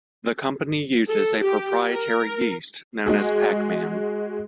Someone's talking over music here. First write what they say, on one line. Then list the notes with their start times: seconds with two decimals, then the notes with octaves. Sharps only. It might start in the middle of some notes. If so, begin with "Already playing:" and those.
The company uses a proprietary yeast known as "Pacman".
1.08 A4
1.42 G4
1.91 A#4
3.06 G#3 F#4 G#4